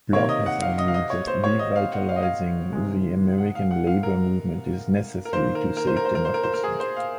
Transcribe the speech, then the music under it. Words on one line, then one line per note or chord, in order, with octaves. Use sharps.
Block has argued that revitalizing the American labor movement is necessary to save democracy.
C3 D#3 A#3 C#5
D#5
F#5
F5
D#5
F5
D#5
C#5
C5
C#5
D#5
F5
F#5
F5
D#5
F5
C3 D#3 G#3
F#5
F5
F#5
F5
A#4
A#4
D#3 A#3 C5
A#4
A#4
C5
A#4
C5
A#4
C5
A#4
C5
A#4
G#4
C5
F5